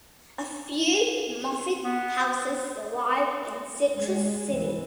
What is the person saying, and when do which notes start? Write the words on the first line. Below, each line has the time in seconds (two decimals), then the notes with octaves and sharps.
A few Moffitt houses survive in Citrus City.
1.85 B3
3.95 G#3
4.54 E3